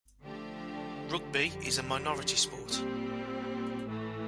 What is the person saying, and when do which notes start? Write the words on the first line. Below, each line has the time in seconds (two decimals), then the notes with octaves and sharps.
Rugby is a minority sport.
0.22 D3 F3 A3 D4 G4
1.43 F2 D3 G3
2.64 A#2 G3 C4
3.85 A2 E3 A3